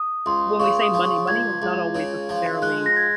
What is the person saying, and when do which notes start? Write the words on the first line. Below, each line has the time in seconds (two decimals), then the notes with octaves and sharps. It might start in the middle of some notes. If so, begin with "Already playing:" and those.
When we say, "money," money is not always necessarily
Already playing: D#6
0.26 C#2 C6
0.60 C#3 C#6
0.82 D#6
0.94 F3
1.04 C#6
1.28 C#2 G#6
1.62 C#2
1.95 C#3
2.29 F3
2.62 G#3 F#6
2.86 A#6
2.96 G#6